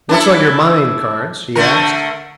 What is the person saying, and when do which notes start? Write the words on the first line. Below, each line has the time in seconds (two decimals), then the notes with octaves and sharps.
"What's on your mind, Carnes?" he asked.
0.09 D4 E4 A4
1.55 D3 A3 A#4